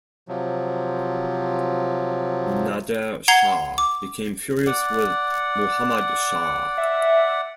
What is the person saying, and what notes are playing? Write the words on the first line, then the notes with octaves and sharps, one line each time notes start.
Nader Shah became furious with Muhammad Shah.
C3 F3 F#3
F#5 A#5 G#6 C7 G7
D6
D5 F#5
E5